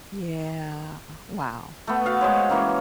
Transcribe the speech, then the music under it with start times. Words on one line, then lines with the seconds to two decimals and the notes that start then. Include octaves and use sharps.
Yeah, wow.
1.87 A3 B3
2.06 F#4 F5
2.21 G#3 C5 C#5
2.49 E3 A#3 C#4